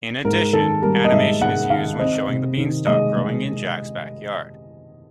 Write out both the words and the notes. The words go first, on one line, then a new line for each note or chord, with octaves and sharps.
In addition, animation is used when showing the beanstalk growing in Jack's backyard.
G#2 A#4
D#3 A4
G3 A#4
D#5
G#2 E5
G#2 F#5
D#3 F5
C4 D#5
C3
D#3
G#3 D#5
G#3